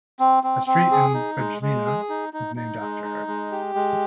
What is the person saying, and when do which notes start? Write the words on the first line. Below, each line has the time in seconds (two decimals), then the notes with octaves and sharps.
A street in Bijeljina is named after her.
0.19 C4
0.43 C4
0.67 C4
0.91 G#4
1.14 D#4
1.38 G#3
1.62 G#3
1.86 G#4
2.09 D#4
2.33 D#4
2.56 D#4
2.80 G#3
3.04 D#4
3.27 G#3
3.51 G4
3.75 G#3